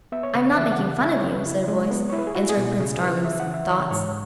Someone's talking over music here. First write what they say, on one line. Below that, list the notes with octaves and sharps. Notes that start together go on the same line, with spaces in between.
"I am not making fun of you," said a voice, answering Prince Darling's thoughts.
B3 E5
C#5
C#3 B4
C#5
E3 E5
F#5
C#3
C#3 E5
C#5
C#3
B4
E4
G#3
B3
E4 C#5
B4
G#4
E4 F#4
G#4
B2
F#4
C#3 G#4
E4 B4
E3 E5
F#5
C#3
E5
E3 C#5
G#2 C#5